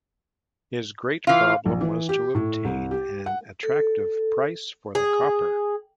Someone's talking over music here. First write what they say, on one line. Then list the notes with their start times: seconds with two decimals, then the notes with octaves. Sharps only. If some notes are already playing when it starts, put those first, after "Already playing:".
His great problem was to obtain an attractive price for the copper.
1.27 E3 F4 F5
1.66 A#1
1.81 E3
2.09 G4
2.35 A2
2.65 C2
2.91 G4
3.26 F#5
3.63 A4
4.95 G#4